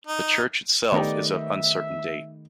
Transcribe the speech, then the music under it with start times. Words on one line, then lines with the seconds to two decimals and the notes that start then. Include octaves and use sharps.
The church itself is of uncertain date.
0.07 D#4
0.92 D#3 A3 B3 D#4 G4 D5
1.35 E5